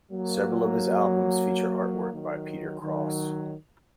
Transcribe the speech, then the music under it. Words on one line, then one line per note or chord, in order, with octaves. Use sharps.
Several of his albums feature artwork by Peter Cross.
F#3 A#3
D#3 F#3
D#3 F#3